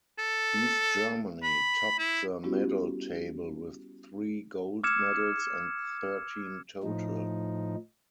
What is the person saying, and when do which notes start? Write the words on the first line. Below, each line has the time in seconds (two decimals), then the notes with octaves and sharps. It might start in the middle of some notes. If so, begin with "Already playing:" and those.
East Germany topped the medal table with three gold medals, and thirteen total.
0.19 A4
1.43 B5
1.99 E4
2.44 G3 B3 C#4 E4 F#4 G4
4.84 D6 E6 F6 G#6 C#7 E7
6.83 A2 F3 D#4